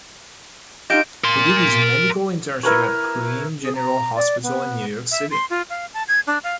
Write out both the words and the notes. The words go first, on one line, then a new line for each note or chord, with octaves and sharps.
He did his medical internship at Queens General Hospital in New York City.
D#4 F4 G4 D#5 G6 D7
A#4 C6
E4 A#4 B4 C#5
G#4
A#5
D5
B3
E5
C6
F4
F5
A5
G#6
D4
F5